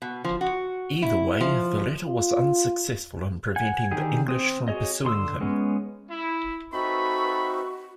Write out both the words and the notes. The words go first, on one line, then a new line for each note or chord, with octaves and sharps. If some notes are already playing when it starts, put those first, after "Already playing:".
Either way, the letter was unsuccessful in preventing the English from pursuing him.
B2
F3
F#4
E4
F3
F4
F#5 G#5
D3 D#3 G4 G#4
C4 D#6
F#4 G#4 C#5 D#5
D3 C6 D#6 E6
G#3 B3 C#4
E4
C4 D#4 F#4 A4 B4 E5 B5 C#6